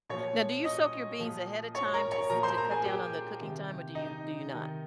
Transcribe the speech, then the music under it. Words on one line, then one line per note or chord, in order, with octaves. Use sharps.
Now do you soak your beans ahead a time to s to cut down on the cooking time, or do you do you not?
A#2 F3 C#5 C#6
D#5 D#6
A#2 F3
C#5 C#6
A#4 A#5
C#5 C#6
A#2 F3 A#4 A#5
C5 C6
A#4 A#5
G#4 G#5
G4 G5
C3 D#3
D#4 D#5
C3 D#3